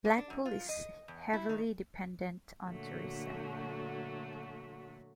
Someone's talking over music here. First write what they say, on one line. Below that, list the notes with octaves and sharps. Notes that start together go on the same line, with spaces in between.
Blackpool is heavily dependent on tourism.
A#3
D4
F#2
F4
D#5
E2
E4
D#3
A#2 D3 F#3 A3 F#4